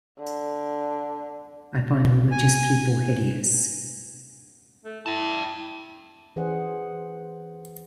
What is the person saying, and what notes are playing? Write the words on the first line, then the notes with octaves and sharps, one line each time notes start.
I find religious people hideous.
D3
G#5
A3
E4 G5 A5
E3 C#4 G#4 C5 D5 F#5